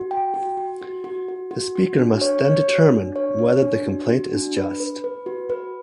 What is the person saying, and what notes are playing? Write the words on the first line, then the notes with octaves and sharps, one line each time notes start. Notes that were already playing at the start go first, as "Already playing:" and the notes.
The Speaker must then determine whether the complaint is just.
Already playing: F#4
G5
F#4
F#4
F#4
F#4
F#4
F#4
F#4
D4
C#5
C#5
F#4
D4
C#5
C#5
D4
F#4
F#4
D4
B4
B4
B4
F#4
B4